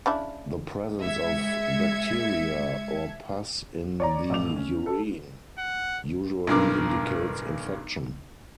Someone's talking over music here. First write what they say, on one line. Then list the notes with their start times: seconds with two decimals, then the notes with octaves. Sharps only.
The presence of bacteria or pus in the urine usually indicates infection.
0.06 C#3 D4 E4
1.04 G#3 E5 G#6 C#7
4.00 C#5 D5 A#5
4.30 A1 F2 D6 F7
4.56 C#4
4.86 A4
5.58 F#5
6.47 B1 G2 A#4 D6